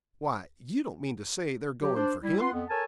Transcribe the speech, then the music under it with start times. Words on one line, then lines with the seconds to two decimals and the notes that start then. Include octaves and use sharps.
Why, you don't mean to say they're going for him?'
1.82 F#3 G4
1.96 D4 C5
2.23 G3 E4
2.39 F4 B4 F#5 C6
2.52 F2 B3
2.69 A4 A#4 C#5 G#5 A5